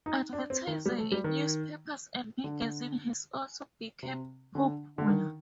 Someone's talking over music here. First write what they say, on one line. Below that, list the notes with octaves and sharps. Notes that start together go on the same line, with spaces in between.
Advertising in newspapers and magazines has also become popular.
D#4
D4
C4
D#3
G3
A3
G3
D#3
D3
C3
D3
D3
D#3